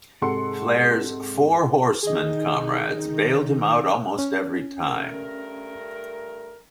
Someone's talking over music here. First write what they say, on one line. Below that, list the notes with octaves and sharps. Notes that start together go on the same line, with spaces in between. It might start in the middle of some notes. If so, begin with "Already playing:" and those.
Flair's Four Horsemen comrades bailed him out almost every time.
G#2 C3 A4 F#5 C6 C#7
D#3 D#4 G#4 D#5 G6
C#4
G2 A3 A#4